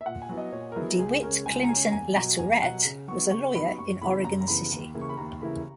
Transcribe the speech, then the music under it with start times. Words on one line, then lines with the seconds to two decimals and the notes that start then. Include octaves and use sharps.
DeWitt Clinton Latourette was a lawyer in Oregon City.
0.01 E5
0.06 A#2 F#5
0.22 G#5
0.29 F#3 B3 E4
0.37 D#5
0.52 A#2 C#5
0.72 A#4
0.76 F#3 B3 E4 G#4
0.99 C#2 G#4
1.22 C#3 G#3 C#4 A#4
1.46 C#2 G#5
1.64 A#5
1.69 C#3 G#3 C#4 G#5
1.92 E2 G#5
2.15 B2 F#3 A#5
2.39 E2 G#5
2.62 B2 F#3 F#5
2.85 C#3
3.08 F#3 B3 D#4 C#6
3.32 C#3 C#6
3.55 F#3 B3 D#4 B5
3.78 F#2 C#6
4.01 C#3 E3 B3 B5
4.24 F#2 A#5
4.41 A#5
4.48 C#3 E3 B3 B5
4.72 D#2
4.94 C#3 E3 A#3 E4
5.01 C#6
5.09 B5
5.17 D#2 A#5
5.41 C#3 E3 A#3 E4 B5